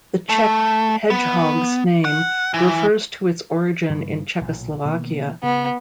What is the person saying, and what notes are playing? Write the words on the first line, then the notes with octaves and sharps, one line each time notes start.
The Czech hedgehog's name refers to its origin in Czechoslovakia.
A3
B3
F#5
E3
G2 C#3 E3
B1 A#2
B2 D#3 A#3
C#3 B3